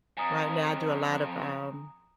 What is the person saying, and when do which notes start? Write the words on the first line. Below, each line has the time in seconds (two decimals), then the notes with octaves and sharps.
right now I do a lot of, um,
0.17 F2 G#5 A#5 D#6